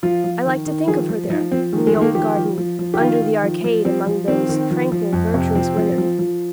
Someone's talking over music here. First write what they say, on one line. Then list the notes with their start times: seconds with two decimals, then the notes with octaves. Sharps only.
I like to think of her there, in the old garden, under the arcade, among those tranquil virtuous women.
0.03 F3 F4
0.24 F3
0.46 D#3
0.66 D#3
0.87 F3 G#4
1.09 F3
1.30 F3 D#4
1.52 F3 C4
1.73 D#3 G#3
1.87 G#3
1.95 D#3
2.01 A#3
2.15 F3 G4
2.36 F3
2.58 F3
2.79 F3
2.94 G4
3.00 D#3 F4
3.21 D#3
3.43 F3
3.64 F3
3.85 F3 C4
4.07 F3
4.28 D#3 C4
4.49 D#3
4.71 F3
4.92 F3
5.13 F2
5.34 C3
5.55 F3 C4
5.77 F3
5.98 F3
6.19 F3